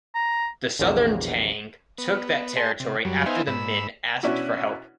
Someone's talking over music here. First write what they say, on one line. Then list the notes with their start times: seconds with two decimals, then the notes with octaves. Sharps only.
The Southern Tang took that territory after the Min asked for help.
0.15 A#5
0.80 A#1 E2 C3 F#3 A#3
1.98 B3
2.57 G#4 A5 C6
2.80 C3
3.05 F#2 F#3 G3
3.26 B3 D#4 C5 E5 F5 G#5
3.47 G#2 B5 E6
4.23 B2 C#4 D4 E4 F#4